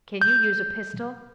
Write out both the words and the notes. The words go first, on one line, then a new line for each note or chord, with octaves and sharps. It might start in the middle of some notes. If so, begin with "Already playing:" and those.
"Can you use a pistol?"
G6